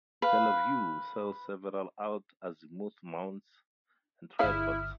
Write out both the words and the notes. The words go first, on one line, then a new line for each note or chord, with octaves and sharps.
Tele Vue sells several alt-azimuth mounts and tripods.
B4 F5
G1 E4 G#4 C#5 F5 D#6 F6